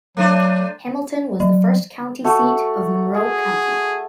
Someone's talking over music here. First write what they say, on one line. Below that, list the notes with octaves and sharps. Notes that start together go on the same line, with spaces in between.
Hamilton was the first county seat of Monroe County.
F#3 A3 D4 C5
F#3
A3 F#4
G#4